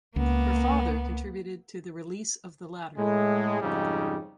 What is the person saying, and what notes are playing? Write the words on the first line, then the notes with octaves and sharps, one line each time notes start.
Her father contributed to the release of the latter.
C#2 A#3 B3
A2 G#3
F2 G#2 C#3 G3 D#4